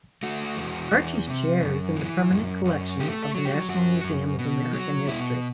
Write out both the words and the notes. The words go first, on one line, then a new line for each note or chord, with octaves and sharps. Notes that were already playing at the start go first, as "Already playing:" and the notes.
Archie's chair is in the permanent collection of the National Museum of American History.
A3 F#4
E2
E2
C3
F#2
E3
F#2
F#2
A3 G4
A4
F#3
G4
F#2 F#4
F#2
B2
F#3
B2 E4